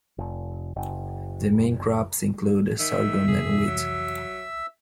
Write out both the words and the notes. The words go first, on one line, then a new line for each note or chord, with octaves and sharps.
The main crops include sorghum and wheat.
F1
F#1
D#3 E5 E6
F2 C3 E3 G#4
F#3